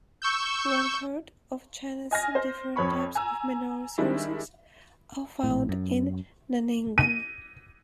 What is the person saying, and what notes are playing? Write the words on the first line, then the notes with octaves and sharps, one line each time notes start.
One third of China's different types of mineral resources are found in Nanning.
C#6 E6 G6
D#5 G#5 F6 A#6
C5
F2 F3 C#5 B5 C#6
G#5 A#5 E6
D#3 G3 G#3 D4 E4
A#1 A2
F#2
D#7